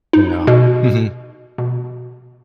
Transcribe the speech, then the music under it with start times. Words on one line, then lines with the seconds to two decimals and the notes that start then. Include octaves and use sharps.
Yeah. Mhm.
0.13 D#4
0.47 B2
1.58 B2